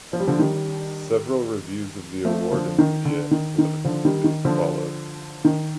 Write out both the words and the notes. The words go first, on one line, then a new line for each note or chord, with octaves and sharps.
Several reviews of the award and a media and political debate followed.
F3
G3
D3 F3
D#3 G3
F3 A3
D3 F3
D#3
D3
D#3
D#3
D3 F3
D#3 G3
D#3
D3 F3
D#3